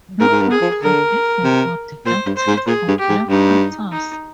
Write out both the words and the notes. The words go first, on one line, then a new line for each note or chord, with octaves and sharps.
No marks were given or deducted for blank answers.
G#2 A#4
G#2
G2
G#4
F3
D3 A#4
C3
A#2 C5
G2
C5
G#2
A#2 G#4
G2
G4
G#2
G2 D#4
D#4